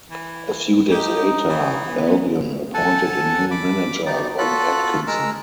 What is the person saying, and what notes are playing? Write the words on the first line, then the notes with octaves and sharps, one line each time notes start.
A few days later, Albion appointed a new manager, Ron Atkinson.
E3
D#4 G4
E3
B3
A4 F#5 G#5 A5
B5 D6
B3 D#4 G4 D5
F4 F#4 A4 B5 F#6
G#3 A#4 E6